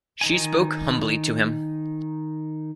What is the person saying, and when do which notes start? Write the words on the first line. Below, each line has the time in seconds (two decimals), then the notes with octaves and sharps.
She spoke humbly to him.
0.21 D#3 D#4 G#5